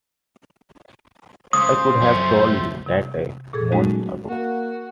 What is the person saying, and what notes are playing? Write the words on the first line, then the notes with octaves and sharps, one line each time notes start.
I could have told you that a month ago.
C#3 C5 D#6
F#1 F#2 F3 A3 C#4
C3
A#2 G#4 A4 G#6
F#3 G#3 A3 C#4 D#4 F#4
A#3 F#4